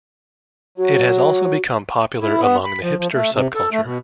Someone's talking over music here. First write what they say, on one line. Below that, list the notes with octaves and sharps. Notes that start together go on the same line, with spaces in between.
It has also become popular among the hipster subculture.
F#3 F#4
E4
B3
B5
F3
F3
A3
C3
A4
A3
B2